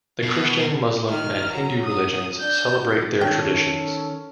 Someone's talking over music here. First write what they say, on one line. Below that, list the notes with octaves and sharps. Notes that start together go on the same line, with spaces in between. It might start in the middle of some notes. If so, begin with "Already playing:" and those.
The Christian, Muslim, and Hindu religions celebrate their traditions.
B2
D#3 F6
F#3 A#5
D#6
D4 G6
D#3 C#4 A4 G5